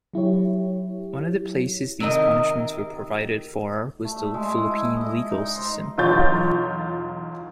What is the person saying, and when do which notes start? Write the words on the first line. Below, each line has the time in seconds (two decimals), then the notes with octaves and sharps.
One of the places these punishments were provided for was the Philippine legal system.
0.14 F#3 E4 G4 C#5
2.00 C3 D#3 A#4 D#5
4.04 A3
4.16 E5
4.34 G#3
4.58 E4
4.71 E4
4.97 D#5
5.31 D#4
5.55 C5
5.98 B1 E2 F4 C#5 G6 A6